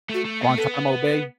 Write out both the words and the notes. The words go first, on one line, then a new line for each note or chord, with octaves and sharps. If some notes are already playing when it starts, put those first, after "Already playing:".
Guantanamo Bay?
A3 F#4
A3
B3
A3
B3 A4